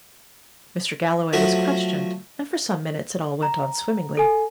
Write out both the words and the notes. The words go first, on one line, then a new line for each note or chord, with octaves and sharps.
Mr. Galloway was questioned; and for some minutes it all went on swimmingly.
F3 F#3 A3
A#5
A4 G#5